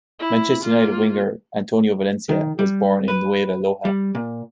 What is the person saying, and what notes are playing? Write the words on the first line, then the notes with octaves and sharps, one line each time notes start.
Manchester United winger Antonio Valencia was born in Nueva Loja.
E4
A#3 F4
D#3
G3
B4
G3
A#2